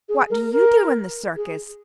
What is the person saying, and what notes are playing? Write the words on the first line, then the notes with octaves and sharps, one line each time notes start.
"What do you do in the circus?"
G#4
A#4
A#4
G#4